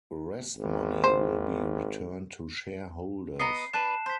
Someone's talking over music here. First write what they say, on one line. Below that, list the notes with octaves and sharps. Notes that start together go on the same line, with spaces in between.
Rest money will be returned to shareholders.
G#1
C5
B3 D#5 A#5 C7
D4 B4 A5 F#6 E7
C5 G6 B6